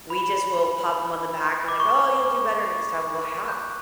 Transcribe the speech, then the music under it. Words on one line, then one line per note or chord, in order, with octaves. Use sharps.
We just will pop them on the back and like, "Oh, you'll do better next time." "Well, how?
B5
D6
C#6
F#6
G6